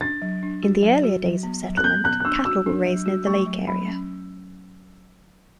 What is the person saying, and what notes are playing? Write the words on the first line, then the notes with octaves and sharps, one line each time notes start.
In the earlier days of settlement, cattle were raised near the lake area.
D4 A6
F#3
D4
F#4
F#3
F#4
F#3
B3
F#3
F#6
B3 G6
B3 F#6
F#6
D4 E6
F#4 E6
D4
F#3
F#4
A3 C#6
F#3
F#3 B5
C#4